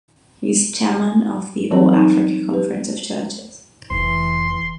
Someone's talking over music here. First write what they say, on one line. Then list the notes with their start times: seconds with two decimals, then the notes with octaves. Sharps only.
He is Chairman of the All Africa Conference of Churches.
1.71 E3 F#3 G3 C4 A#4 C#5
1.93 D#4
2.51 G4 B4
3.90 F1 E3 E4 C6